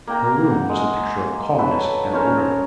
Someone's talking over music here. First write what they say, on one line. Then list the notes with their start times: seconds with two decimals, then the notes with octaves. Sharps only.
Her room was the picture of calmness and order.
0.07 A#3 G5 A#5
0.50 F#5
0.69 G#3
1.58 F#3 A4 B4
2.13 C#4 A#4 C5 C#5